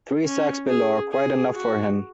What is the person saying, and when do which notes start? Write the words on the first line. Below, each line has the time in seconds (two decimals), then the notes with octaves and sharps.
Three sacks below are quite enough for him.
0.25 C#4
0.67 G#4
1.11 G#4
1.54 F#4